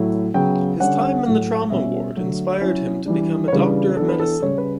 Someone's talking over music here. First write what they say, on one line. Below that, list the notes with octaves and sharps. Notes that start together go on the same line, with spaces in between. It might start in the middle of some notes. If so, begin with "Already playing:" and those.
His time in the trauma ward inspired him to become a doctor of medicine.
Already playing: A2 F#3 A3 E4
C#3 F#3 B3 G5
D3 G3 C#4 F#5
A2 F#3 A3
B2 G3 C#4 E5
D3 F#3 A3
F#3 C#4 E4
E3 G3 D4
C#5
C#3 E3 G3 D4 B4
E3 B3 D4 A4
B4
A4
C#3 G3 C#4 C#5
B4